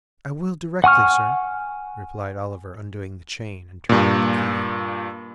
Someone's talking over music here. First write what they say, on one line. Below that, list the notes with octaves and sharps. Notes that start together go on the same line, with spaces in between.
'I will, directly, sir,' replied Oliver: undoing the chain, and turning the key.
F#5 G#5 C#6 F6
G2 A#2